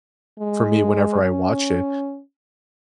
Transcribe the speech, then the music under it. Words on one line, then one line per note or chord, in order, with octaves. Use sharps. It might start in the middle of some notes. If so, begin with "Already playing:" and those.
for me whenever I watch it.
G#3
C#4